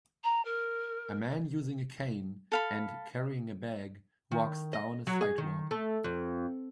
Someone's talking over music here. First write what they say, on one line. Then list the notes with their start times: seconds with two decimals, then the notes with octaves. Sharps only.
A man using a cane and carrying a bag walks down a sidewalk.
0.24 A#5
0.45 A#4
2.52 A4 F5 B5
4.31 D#3
4.73 D#5
5.07 F#3
5.21 G#4
5.38 D#3
5.71 A3
6.04 F2